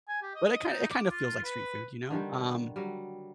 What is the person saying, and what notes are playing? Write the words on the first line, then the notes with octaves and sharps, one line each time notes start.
But it kinda it kinda feels like street food, you know? Um,
G#5
G4
D#5
D#4
D6
F4
B4
D3 D#3 G3
F#3 G3